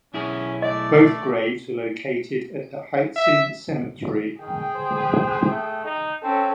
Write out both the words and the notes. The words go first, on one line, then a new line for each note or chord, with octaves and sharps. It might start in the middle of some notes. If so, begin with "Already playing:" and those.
Both graves are located at the Hietzing Cemetery.
B1 C#4 E4 G#4
A3 D5 D#5
E5
D#3 G#4 G5
C5
A3
D#4
C4 C#4 A4